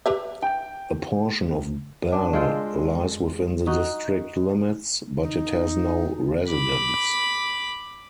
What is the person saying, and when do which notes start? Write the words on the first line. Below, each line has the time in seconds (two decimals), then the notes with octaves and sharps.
A portion of Bell lies within the district limits, but it has no residents.
0.06 G4 B4 E5
0.43 G5
2.12 D4
2.33 G#3 C4 F4 G5
3.67 D#4 F#4
5.24 D#4
6.49 B5 D6